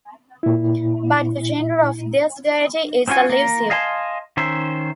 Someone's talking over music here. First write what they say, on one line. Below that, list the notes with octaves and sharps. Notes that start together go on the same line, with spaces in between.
But the gender of this deity is elusive.
A#2 E4
C4 C#4 F4 F#4 G#5
A#3 A#4
D#5 F5 G#5 A5 C6
D#3 C#4 C5 E5